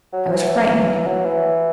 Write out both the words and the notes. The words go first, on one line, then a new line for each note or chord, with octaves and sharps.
I was frightened.
F#3
E3
F#3
E3